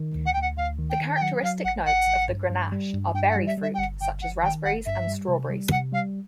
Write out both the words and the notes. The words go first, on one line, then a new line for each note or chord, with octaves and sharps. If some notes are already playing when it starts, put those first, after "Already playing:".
The characteristic notes of Grenache are berry fruit such as raspberries and strawberries.
Already playing: D#3
D2
F#5
D2 G5
F#5
D2 F5
D#3
G5
D#3
G5
F#3 F#5
F#3 F5
A1 F#5
A1 F#5
A1
G2
G2
G3
G2
G2 G5
F#5
G3
E5
G3 E5
G5
G1 F#5
G1 G5
G1 F#5
D#3 G5
G1 F#5
G2 E5
G3
C3
G3
C3 F#5
G3 F5